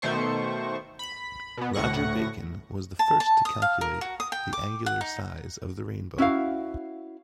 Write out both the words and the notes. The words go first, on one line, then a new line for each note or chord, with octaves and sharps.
Roger Bacon was the first to calculate the angular size of the rainbow.
B2 D#3 A3 C5 C#6
B5
B2 B3
D2 A2 F#5 C#6 A#6
A5
A5
D#6
F5
A#4
F#4
D#6
G5
D6
F#5
D#4
C#4 E4 F#4 F5